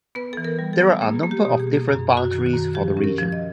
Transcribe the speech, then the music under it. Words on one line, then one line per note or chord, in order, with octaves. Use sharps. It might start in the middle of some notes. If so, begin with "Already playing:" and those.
There are a number of different boundaries for the region.
B3 B4
E3 A4
A#4
G3
A4
B3
A#3 G#4
A#3
G4
B2
G#4
A#3
F#2 G#4
F#2
F#4
D#3
F#4
F#2
F3 G4
C#4
A#4
F3
D#5